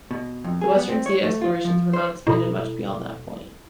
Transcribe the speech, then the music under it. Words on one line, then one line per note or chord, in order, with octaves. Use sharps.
The western sea explorations were not expanded much beyond that point.
B2
F2
G#4
B3
C4
C#5
A3
F4
F3
C5
B2 E4 A4 B5